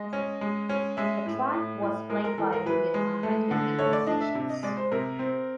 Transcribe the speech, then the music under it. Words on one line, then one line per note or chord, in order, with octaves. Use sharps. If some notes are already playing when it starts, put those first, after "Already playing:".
The track was played via video conference between the musicians.
Already playing: G#3 D#5
C#4
G#3
C#4
G#3 E5
A2
A2
A2
G#3 A#4
A#4
E3 A4
A#4
E3 B4
G#3
A3
D3
A3 C#5
D5
D4 D#5
E5
C3
D#5
G#3 D5
C5
C3 A#4
C4